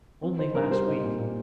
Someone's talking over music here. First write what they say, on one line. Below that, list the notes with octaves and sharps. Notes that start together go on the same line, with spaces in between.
Only last week!
C4
D#4 C5
G2 A#4
G3 C5
D#4
A#2
A#2